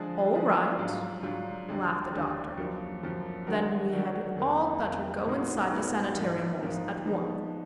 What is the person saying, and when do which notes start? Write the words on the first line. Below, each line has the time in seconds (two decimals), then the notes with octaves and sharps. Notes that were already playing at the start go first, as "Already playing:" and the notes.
"All right," laughed the Doctor, "then we had all better go inside the sanitarium walls at once."
Already playing: D3 F3 G#3 D4 G#4
0.33 D3 F3 G#3 D4 G#4
0.78 G#2 F#3 D4 F4
1.23 G#2 F#3 D4 F4
1.69 D#2 D3 G#3
2.13 D#2 D3 G#3
2.58 F#2 F3 A#3
3.03 F#2 F3 A#3
3.47 D#3 F#3 D4 F#4 A#4
3.93 D#3 F#3 D4 F#4 A#4
4.37 F2 D#3 A#3
4.82 F2 D#3 A#3
5.26 A#2 G#3 B3 D#4 F#4
5.72 A#2 G#3 B3 D#4 F#4
6.16 G#2 F3 A#3 D#4
6.61 G#2 F3 A#3 D#4
7.06 F3 B3 D#4